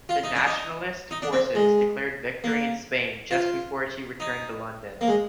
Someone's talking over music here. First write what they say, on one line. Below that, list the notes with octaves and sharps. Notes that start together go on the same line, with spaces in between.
The Nationalist forces declared victory in Spain just before she returned to London.
F4
D#4
D4
D#4
D#4
D4
C4
G#3
A#3
F4
D#4
A#3
G#3